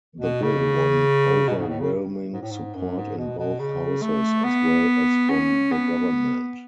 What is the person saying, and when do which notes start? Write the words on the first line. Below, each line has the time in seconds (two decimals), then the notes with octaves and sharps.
The Bill won overwhelming support in both Houses as well as from the Government.
0.21 B2
0.42 C#3
1.47 B2
1.59 G#2
1.69 A2
1.80 C#3
2.33 G#2
2.42 A2
2.51 G#2
2.75 F#2
2.97 G#2
3.18 B2
3.39 B2
3.60 C#3
4.02 A3
4.44 B3
5.29 C#4
5.72 B3